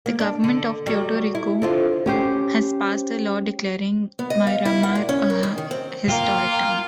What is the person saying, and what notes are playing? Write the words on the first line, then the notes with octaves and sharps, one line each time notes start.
The government of Puerto Rico has passed a law declaring Miramar a Historic Town.
A#3
D4
D3
F#3 G3
E4
D3 C4 F4
C#4 G4 C5
B3
D#5
F5
E4
F#5
A#2
C#4
A#4
D#3
D#3
C4
A#3 F4 F5 G5